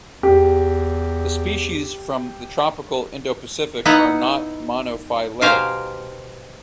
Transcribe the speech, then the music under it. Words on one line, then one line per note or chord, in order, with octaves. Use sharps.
The species from the tropical Indo-Pacific are not monophyletic.
E2 G4
B3 D#4 E4 D#5 F#5 A#5
B2 G4 C5 F5 G#5 A#5